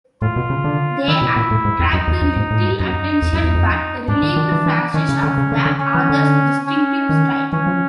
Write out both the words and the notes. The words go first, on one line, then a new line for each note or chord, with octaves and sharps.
They attracted little attention but revealed flashes of the author's distinctive style.
A2 F4
B2
C#3
D3
D#3 E4
B2
A#2
A2
G#2
F2
F#2 D#4
E2
F2
G#2
A2
G#2
G2
F#2 D#4
F2
F#2
F2
F2
G#2 D4
D3
D#3
E3
E3
D#3 C#4
C#3
D3
C#3
D3
D3
C#4
E3
D3
C#4
D#3
E3 C#4
F3